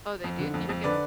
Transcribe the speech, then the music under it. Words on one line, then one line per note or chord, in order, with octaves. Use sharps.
Oh, they do? You don't get mad?
F2
D3
F2
F2
D3 B4 D5